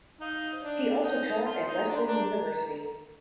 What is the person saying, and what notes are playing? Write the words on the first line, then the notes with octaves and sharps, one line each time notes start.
He also taught at Wesleyan University.
D#4 F5
C5
D4 D5
D#4 C5
F4 C5
D#4
A#5
D4
C6
A#5
D4
A#5